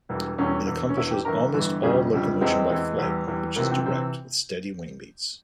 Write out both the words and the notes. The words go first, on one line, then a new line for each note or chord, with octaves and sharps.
It accomplishes almost all locomotion by flight, which is direct, with steady wing beats.
E1 E2 E3 G3
E1 E2 E3 G3 C#4
E1 E2 E3
C#4
E1 E2 E3 E4
G4
G1 G2 E3 A#4
G1 G2 E3
G1 F2 C#3 G3 G#4
G1 F2 C#3 G3
E2 E3 G#3 C4
E2 E3 G#3
E2 E3 G3
E2 E3 G3
C#2 C3 E3 A#3
C4
C3 E3 C4